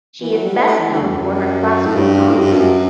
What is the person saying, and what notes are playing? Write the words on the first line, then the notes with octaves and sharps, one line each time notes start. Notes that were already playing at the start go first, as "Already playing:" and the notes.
She is best known for her classical songs.
E3
F#3
G3
A3
A3
E3
D3
E2
F#2
A2
G2
A2
F#2
G2
F#2